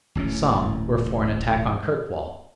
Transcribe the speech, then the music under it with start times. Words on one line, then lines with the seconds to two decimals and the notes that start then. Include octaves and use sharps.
Some were for an attack on Kirkwall.
0.15 D1 A1 A#2 C#4